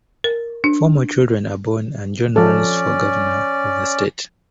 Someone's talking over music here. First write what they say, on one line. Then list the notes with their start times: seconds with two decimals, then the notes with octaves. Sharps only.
Four more children are born, and John runs for governor of the state.
0.24 A#4
0.64 D4
2.36 F3 C#4 A4 D5